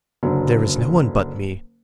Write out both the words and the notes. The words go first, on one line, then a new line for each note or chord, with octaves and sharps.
"There is no one but me."
F#1 D3 F#3